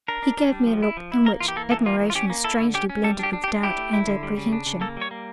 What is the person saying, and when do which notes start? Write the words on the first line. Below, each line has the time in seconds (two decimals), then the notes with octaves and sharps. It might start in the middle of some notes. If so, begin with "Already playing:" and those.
He gave me a look in which admiration was strangely blended with doubt and apprehension.
0.08 D4 A#4
0.22 D4
0.38 D4
0.52 G3
0.66 F3
0.82 E4
0.97 F3
1.12 E4
1.26 A#3 A#4
1.41 E3 F4
1.48 G4
1.56 A#3 A4
1.71 E3 A4
1.86 A#3 F4
2.00 E3
2.10 F4
2.15 C#4 G4
2.30 A#3
2.44 E4 A4
2.60 D3
2.74 C#4 G4
2.89 C#4
3.04 G3 A4
3.19 D4 G4
3.33 D4
3.44 G4
3.48 D4
3.63 E4 G4
3.78 A3
3.93 E4
4.07 D3
4.23 G3
4.37 C#3
4.53 D4
4.66 C#3
4.81 A#3 A4
4.97 G3 C#5
5.11 A#3